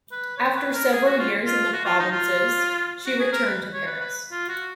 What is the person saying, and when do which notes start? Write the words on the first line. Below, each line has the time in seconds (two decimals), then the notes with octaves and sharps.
After several years in the provinces she returned to Paris.
0.12 B4
0.38 C#5
0.56 B4
0.74 A#4
0.92 G#4
1.06 F#4
1.19 F4
1.46 F4
1.73 F#4
1.85 F4
1.99 D#4
2.12 F4
3.06 F#4
3.20 G#4
3.33 A#4
3.46 B4
3.74 C#5
3.87 B4
4.00 B4
4.32 F4
4.48 F#4